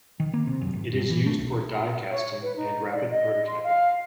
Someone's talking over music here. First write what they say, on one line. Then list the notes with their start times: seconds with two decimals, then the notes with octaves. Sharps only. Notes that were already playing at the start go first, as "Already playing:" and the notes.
It is used for die casting and rapid prototyping.
0.20 D#3
0.33 A#3
0.47 C3
0.61 F#2
0.73 G#1
0.93 G2
1.10 E3
1.26 A3
1.38 B1
2.11 C#5
2.42 B4
2.56 D#4
2.93 D5
3.10 D#5
3.47 C6
3.64 F5